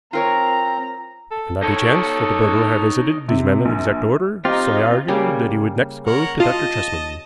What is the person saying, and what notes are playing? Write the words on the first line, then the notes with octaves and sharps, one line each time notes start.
It could not be chance that the burglar had visited these men in exact order, so I argued that he would next go to Dr. Tresman.
C4 F4 A#4 C#5 A#5
A4
D#4 A4 C#5
C3
A#1
C4 D#4 F4 G4 D#5
C#3 G3 A#3
A#4 C#5 F#5
F4 D#5 A5